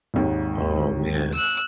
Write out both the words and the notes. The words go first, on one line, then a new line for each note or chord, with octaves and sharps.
Oh, man.
G#1 D#2 G#2
E6 F#6